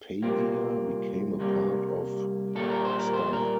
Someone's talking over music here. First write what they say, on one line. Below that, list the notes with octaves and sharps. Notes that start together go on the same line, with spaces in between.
Pavia became a part of Sta.
C2 A#2 G3 A#3 C4
C2 C3 G3 A#3
A#2 G3 A#3 A4
A#4
C5
A#4
C5
A#4